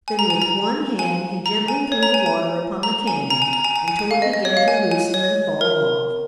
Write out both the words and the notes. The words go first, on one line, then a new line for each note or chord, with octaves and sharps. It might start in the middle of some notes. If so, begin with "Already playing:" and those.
Then with one hand he gently threw the water upon the candy until it began to loosen and fall off.
G#5
A#5
G#5
A#5
G#5
A#5
G#5
C#5
A#5
G#5
G#5
A#5
G#5
A#5
G#5
A#5
G#5
G#5
G#5
G#5
F5
D#5
D#5
C#5
F5
G#5
G#5
C#5
A#4